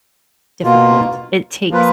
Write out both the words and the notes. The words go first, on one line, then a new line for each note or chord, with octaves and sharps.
difficult, it takes
B2 A#3 F4
F3 A#3 F4 B4